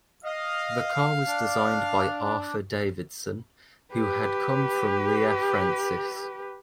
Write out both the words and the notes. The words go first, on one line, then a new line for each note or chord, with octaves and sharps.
The car was designed by Arthur Davidson who had come from Lea-Francis.
D#5 F5
D4
G4 B4